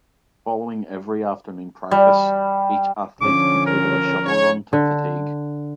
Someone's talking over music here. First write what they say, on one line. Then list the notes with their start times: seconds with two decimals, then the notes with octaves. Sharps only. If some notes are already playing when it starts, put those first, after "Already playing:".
Following every afternoon practice, each athlete completed a shuttle run to fatigue.
1.91 G3
3.21 D3 F3 C#4 D6
3.66 A#4
4.24 C#5
4.73 D3